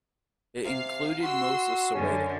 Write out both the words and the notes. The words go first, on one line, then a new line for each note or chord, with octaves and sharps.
It included most of Soweto.
C3 F5
F#4 C6 E6
F#2 D3 C#4